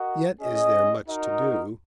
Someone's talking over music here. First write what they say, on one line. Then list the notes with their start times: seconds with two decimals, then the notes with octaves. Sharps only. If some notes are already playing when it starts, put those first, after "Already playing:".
Yet is there much to do.
Already playing: F#4 A#4 D#5 F#5
0.40 C#4 G#4 D#5
1.08 D#4 F#4 A#4 D#5